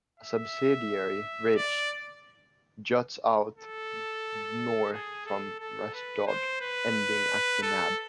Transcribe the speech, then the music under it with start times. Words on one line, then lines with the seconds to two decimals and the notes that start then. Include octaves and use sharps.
A subsidiary ridge juts out north from Rest Dodd, ending at The Nab.
0.20 E5
1.55 D5
3.58 A4
4.93 G#4
5.26 A4
5.60 A4
5.94 B4
6.27 C5
6.61 B4
7.62 A4